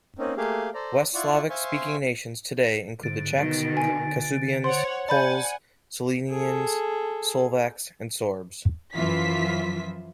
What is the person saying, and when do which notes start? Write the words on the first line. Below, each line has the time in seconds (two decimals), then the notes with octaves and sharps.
West Slavic speaking nations today include the Czechs, Kashubians, Poles, Silesians, Slovaks and Sorbs.
0.19 A#3 C4 C#4 D#4
0.37 A3 A#3 G4 G#4 F5
0.74 A4 C5 D5 A#5
1.14 E4 F4 D5 F#5 C#6
1.50 C5 E5 F5 G#5 C6 C#6
3.03 G#2 D3
3.37 B2 D#3
3.77 G#5
4.64 C5 C#5 F#5 C6
5.08 D5 F#5 G#5 A5 B5 G6
6.32 G#4 A4
8.96 F#2 E3 F3 F4 E5 B6